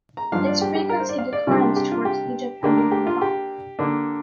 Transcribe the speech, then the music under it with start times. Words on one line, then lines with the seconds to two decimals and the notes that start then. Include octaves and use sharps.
Its frequency declines towards Egypt and the Levant.
0.17 A#5
0.32 G2 F3 D4 F5
0.46 D5
0.61 G4
0.75 G4
0.89 A#4
1.00 C5
1.09 D5
1.18 F5
1.33 D5
1.47 C3 G3 A#3 D4 F4
1.62 G4
1.76 G4
1.92 F4
2.05 G4
2.63 D3 A#3 D4 G4
2.77 A#4
2.91 G4
3.07 F4
3.21 G4
3.79 D3 A#3 D4